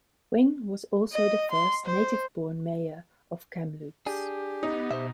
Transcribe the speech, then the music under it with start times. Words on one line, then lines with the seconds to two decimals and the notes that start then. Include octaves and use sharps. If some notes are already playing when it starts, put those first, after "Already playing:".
Wing was also the first native-born mayor of Kamloops.
1.12 D#5
1.52 C6
1.86 C5
4.06 D4 G4 G#4
4.63 B3 D#4
4.91 B2 C5 D#5 E5